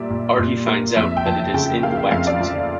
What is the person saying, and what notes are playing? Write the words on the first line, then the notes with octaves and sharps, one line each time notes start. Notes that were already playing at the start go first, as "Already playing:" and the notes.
Artie finds out that it is in the wax museum.
Already playing: A#2 G3 A#3 D5 E5
A#2
A#2
A#3
F2 E5
G5
F3 A5
C#3 G5
A#3 F5
E5
F2 F5
D5
F3